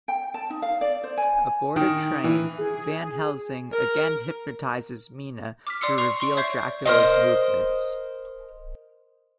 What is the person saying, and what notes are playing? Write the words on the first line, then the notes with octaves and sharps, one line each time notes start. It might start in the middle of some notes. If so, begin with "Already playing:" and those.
Aboard a train, Van Helsing again hypnotizes Mina to reveal Dracula's movements.
G5
A5
D#4
F5
D5
C5
G#5
D#3
E3
G#4
A#4
D6 F6 B6
D5 C6 D6 E6 C7 C#7
D5 C6 C#6 C7 F7
C6 C#6 D7
C#5 D5 E5 C#6 G6 C7
A#4 C5 D#5